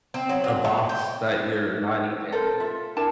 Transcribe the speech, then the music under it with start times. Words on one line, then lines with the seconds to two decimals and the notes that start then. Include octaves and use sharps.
a box that you're not even,
0.14 C4
0.29 F#3
0.44 F#3
0.64 A#2
0.89 G4
2.32 A4 A#4 C5
2.60 F4 E5
2.96 D4 E4 A#4 A5